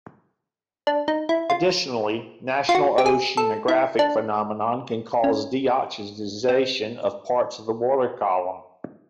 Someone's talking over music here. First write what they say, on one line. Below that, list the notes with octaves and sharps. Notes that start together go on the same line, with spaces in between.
Additionally, natural oceanographic phenomena can cause deoxygenation of parts of the water column.
D4
D#4
E4
F4
F4
F#4
G4
G#4
A4
E4
D4
C#4
C4